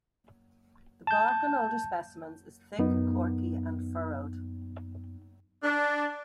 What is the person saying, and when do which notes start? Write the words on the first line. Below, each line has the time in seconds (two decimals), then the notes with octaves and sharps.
The bark on older specimens is thick, corky and furrowed.
1.07 A5 G6
2.79 F#2 B3 D#4
5.63 D4